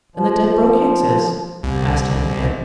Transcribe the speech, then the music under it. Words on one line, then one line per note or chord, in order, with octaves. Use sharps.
"And the Dedbroke-Hickses?" asked Henriette.
F3
C2